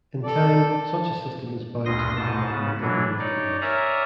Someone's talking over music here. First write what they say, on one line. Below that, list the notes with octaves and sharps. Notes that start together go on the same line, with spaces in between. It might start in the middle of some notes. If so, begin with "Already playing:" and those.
In time, such a system is bound to undermine the vigour of the race.
A4 D5
A5
D2 G2 C6 D#6 A#6
G#2 B2 A5
C#3 B3
B2 E3 F#3 D4
D#4 C#5 D5
A#4 C#5 D5 E5 G#5 A#5